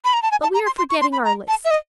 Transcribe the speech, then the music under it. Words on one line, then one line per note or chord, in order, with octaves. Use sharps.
But we are forgetting our list.
B5
A#5
A5
G#5
A5
A#5
C6
C6
C#6
C6
B5
A#5
A5
E5
D#5